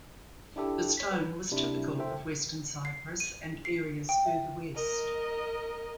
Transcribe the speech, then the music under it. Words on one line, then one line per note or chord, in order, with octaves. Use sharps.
The stone was typical of western Cyprus and areas further west.
D4 E4 G4 A4
C#5 B6
B4
C3 D4 E4
A4 C5 E5 G5
C7
D#7
C7
G5
E5
A#4 D#5